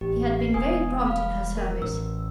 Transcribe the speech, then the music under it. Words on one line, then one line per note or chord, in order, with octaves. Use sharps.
He had been very prompt in her service.
A1 G4
B4 C7
E1 B3 G#5 D#6
F5 B5 F6
A#4
A1 E6